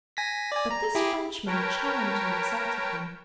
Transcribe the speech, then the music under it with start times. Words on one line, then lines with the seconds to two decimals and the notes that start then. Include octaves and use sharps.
But this Frenchman challenged and excited him.
0.17 G#5 A#6 B6
0.52 D5 G#5
0.71 A#5
0.95 E4 G4 G#4
1.47 A#4 B4 C#5 G5 A5 A#5